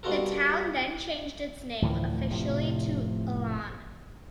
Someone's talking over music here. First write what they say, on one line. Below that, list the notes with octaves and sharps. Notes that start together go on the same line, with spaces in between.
The town then changed its name officially to Elon.
G3 B3 F4 F#4 A4 A#4
D2 A2 E3 F3
F1 A2 C3 F3